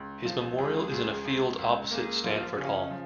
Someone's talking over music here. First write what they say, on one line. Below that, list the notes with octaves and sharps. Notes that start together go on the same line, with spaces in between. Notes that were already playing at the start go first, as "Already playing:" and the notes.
His memorial is in a field opposite Stanford Hall.
Already playing: C#2
F3
C#2 G#4
C#2
C#2
C#2
A#3 G#4
F3 F4
C#3 C#4
F3